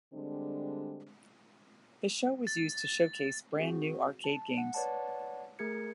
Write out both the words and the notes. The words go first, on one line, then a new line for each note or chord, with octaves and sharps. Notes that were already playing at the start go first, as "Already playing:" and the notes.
The show was used to showcase brand new arcade games.
D3 G3 G#3 C4 D4
A6
C4 F#4 G#4
A5
F#5
B4 C#5 D5 F#5 A5
A3 G#4 A#4 G#6 C#7